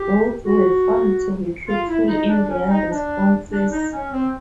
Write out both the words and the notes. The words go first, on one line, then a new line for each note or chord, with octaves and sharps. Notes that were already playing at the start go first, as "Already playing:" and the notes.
Both were found to be truthful in their responses.
Already playing: G4
F#4
F4
E4
D#4
D4
C#4
D#4
D4
D4
D#4
C#4
C4